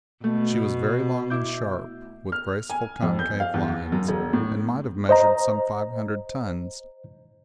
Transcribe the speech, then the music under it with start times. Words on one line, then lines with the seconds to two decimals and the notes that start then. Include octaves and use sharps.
She was very long and sharp, with graceful concave lines, and might have measured some five hundred tons.
0.24 B2 A3
1.30 E4 D6 G6
2.32 F6
2.70 G#5
3.03 F2
3.19 G6
3.40 F5
3.54 E2
3.92 F#2
4.08 E1
4.33 A2
5.09 C5 D#5 A#5